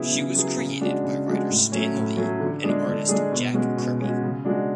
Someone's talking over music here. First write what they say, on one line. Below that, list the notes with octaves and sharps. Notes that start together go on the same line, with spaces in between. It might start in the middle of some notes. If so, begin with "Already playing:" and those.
She was created by writer Stan Lee and artist Jack Kirby.
Already playing: C#3 F#3 B3 E4 G#4
C#3
F#3 B3 E4 G#4
C#3
G#3 D4 F#4
C#3
G#3 D4 F#4
A2
F#3 A3 C#4
A2
F#3 A3 C#4
D3
G#3 D4 G#4
D3
G#3 D4 G#4
B2
G#3 C#4 F#4
B2
G#3 C#4 F#4
C#3
G#3 D4 F#4